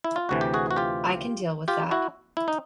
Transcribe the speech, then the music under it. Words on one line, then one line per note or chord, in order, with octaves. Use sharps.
I can deal with that.
E4
F4
D2 C3 E3 F#4
G4
F#4 G#4
F#4
F4 G4
F4 G4
E4 F#4
E4
D#4